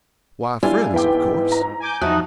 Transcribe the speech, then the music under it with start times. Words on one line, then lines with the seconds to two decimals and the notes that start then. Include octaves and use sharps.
'Why, friends, of course.
0.63 G3 D4 E4 F4 G#5
0.94 E2 G#2 E4 B4 G5 D6
1.52 A#5
1.80 G#5 D6 G6
2.01 E2 F3 D#4 F#4 E5 A5 D#6 F#6